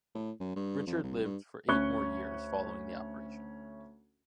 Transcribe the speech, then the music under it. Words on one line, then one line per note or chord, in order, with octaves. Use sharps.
Richard lived for eight more years, following the operation.
A2
F#2
G2
F2
C2
G2
D2 C#4 C#6 F#6 G7